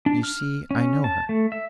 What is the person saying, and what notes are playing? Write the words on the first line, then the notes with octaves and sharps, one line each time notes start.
You see I know her.'
D4
F6
C#4
A5
A3
E5